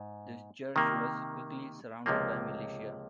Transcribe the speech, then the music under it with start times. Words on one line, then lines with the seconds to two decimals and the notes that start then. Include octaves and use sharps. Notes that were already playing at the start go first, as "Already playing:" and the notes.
The church was quickly surrounded by militia.
Already playing: G#2
0.76 C3 D#3 A#3
2.06 C#2 C3 F3 A#3